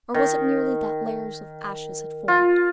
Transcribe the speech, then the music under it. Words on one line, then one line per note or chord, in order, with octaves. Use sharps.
Or was it merely that layers of ashes had formed?
D#3
F4